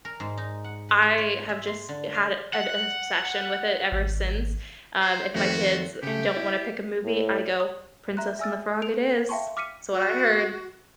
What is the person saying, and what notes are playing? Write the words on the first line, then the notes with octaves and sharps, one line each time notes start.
I have just had an obsession with it ever since, um, if my kids don't wanna pick a movie, I go, "Princess and the Frog it is." That's what I heard.
A#4
G#2
D#4
F#5
B4
F4
C#5
E5
C6
D3
F5
F#5
G#1
C5
F2 D#3 A3 F#4
C#3 A3 G4
E4
A2
D#6
E5 A#5 C6 F#6
E5 G#5 E6 F6 A6
A4 D7 F7
E5 F5 G5 A5 C6 C#6
D6 F6 B6 C#7 D#7
F#4